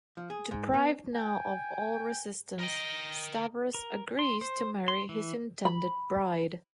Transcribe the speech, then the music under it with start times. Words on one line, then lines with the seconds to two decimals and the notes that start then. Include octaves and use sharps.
Deprived now of all resistance, Stavros agrees to marry his intended bride.
0.17 F3
0.30 G#4
0.51 G#2
0.74 B3
1.15 G5 G#5
2.59 A#4 D#5 G5
3.74 A#4
4.19 C6
4.41 C5
4.88 C6
5.09 E3
5.65 B5